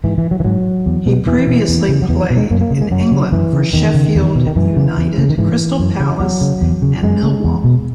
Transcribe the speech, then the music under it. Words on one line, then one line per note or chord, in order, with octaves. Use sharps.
He previously played in England for Sheffield United, Crystal Palace and Millwall.
G#2 E3
E3
F#3
E3
G#2 F#3
E2
B2
E2 E3
B2
E2
C#3
F#3
E2 E3
B2
G#3
F#2 A#3
A#3
C#3
G#3
F#2 F#3
C#3
F#2 E3
C#3
E2 D#3
C#3
E2
B2
D#3
F#2 E3
C#3
E2
C#3
D#3
G#2 E3
F#2
C#3
E2 F#3
C#3
E2
C#3
F#2 G#3
C#3
E2
B2